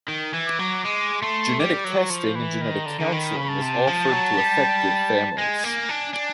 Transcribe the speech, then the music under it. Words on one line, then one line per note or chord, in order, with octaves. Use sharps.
Genetic testing and genetic counseling is offered to affected families.
D#3
E3
D6
F#3
G#3 D6
A3 C6
G3 D6
F#3
C#6
F3
E3 B5
D#3
A#5
D3
D3
D#3 B5
C#3
A5
C3
F3
F#3
G3
G#3 G#5
A#3
D4
D4